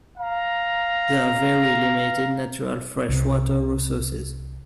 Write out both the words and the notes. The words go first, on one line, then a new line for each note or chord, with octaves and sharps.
There are very limited natural fresh water resources.
F5 A#5
C2 C3